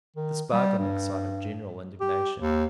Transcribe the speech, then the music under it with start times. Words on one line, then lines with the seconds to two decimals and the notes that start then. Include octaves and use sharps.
This bargain excited general indignation.
0.16 D#3
0.53 G3
0.79 G2
2.01 G4
2.38 D#2